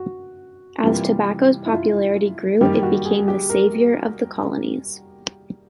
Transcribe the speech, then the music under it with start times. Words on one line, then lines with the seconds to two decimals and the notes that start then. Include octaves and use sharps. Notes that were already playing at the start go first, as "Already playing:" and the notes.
As tobacco's popularity grew, it became the savior of the colonies.
Already playing: F#4
0.83 C3 E3 G3 A#3 F4
1.66 E4
1.72 F4
2.61 D#3 G3 A#3 G4
2.83 F#4
3.05 G#4
3.28 G4
3.49 A#4